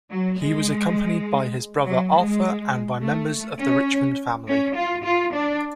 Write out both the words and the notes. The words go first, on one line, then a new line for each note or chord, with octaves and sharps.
He was accompanied by his brother Arthur and by members of the Richmond family.
F#3
G#3
F#3
G#3
A3
C#4
C#4
F4
F4
D4